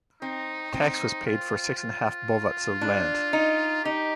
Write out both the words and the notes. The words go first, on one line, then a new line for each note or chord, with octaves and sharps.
Tax was paid for six and a half bovats of land.
C4 D#4
C4 D#4
F4
F4
D4
D#4
D#4 G4